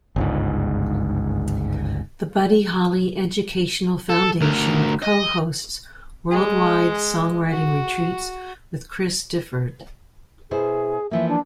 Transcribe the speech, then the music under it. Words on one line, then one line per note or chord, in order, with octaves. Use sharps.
The Buddy Holly Educational Foundation co-hosts worldwide songwriting retreats with Chris Difford.
G1 C#2 G#2
A4
D2 A#4
D#5
G#3
F#4
B2 E4 G#4 C5
E3 F3 A#3 E5
D4